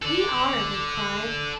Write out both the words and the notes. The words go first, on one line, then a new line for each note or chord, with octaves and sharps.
"We are!" they cried.
A4 D5